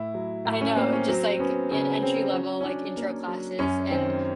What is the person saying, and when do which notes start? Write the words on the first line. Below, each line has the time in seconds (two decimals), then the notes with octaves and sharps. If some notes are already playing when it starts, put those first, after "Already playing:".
I know, it's just, like, an entry-level, like, intro classes and
Already playing: A2 E4
0.14 F#3
0.45 A2
0.61 C#4
0.76 A#3 C4
0.93 C#4
1.08 F#3 C4
1.39 B3 C#4
1.71 C#3 C#4
2.02 C#3 C4
2.33 F#3 C#4
2.61 C#4
2.65 F#3 D4
2.97 A#3
3.27 F#3
3.59 F#2 C#4
3.90 D#3 C4